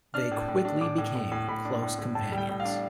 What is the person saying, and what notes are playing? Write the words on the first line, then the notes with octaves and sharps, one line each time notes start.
They quickly became close companions.
D4 F6
A2
A2
D4
A2 D6
A2
A2
A2
A2 B5
D4
A2
A2
A2 A5
G3
G5
A2
F5
D4